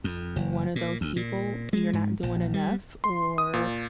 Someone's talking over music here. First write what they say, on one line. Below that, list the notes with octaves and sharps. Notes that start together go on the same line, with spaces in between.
one of those people, you're not doing enough or
F2
F#1
A#2
D2
A#2
G#3
G#2
A#1
G3
C6
D#6
A#2